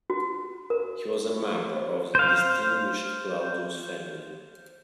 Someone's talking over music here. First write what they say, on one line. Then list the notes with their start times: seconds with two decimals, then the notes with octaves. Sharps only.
He was a member of the distinguished Claudius family.
0.10 F#4
0.70 A#4
2.15 C5 F5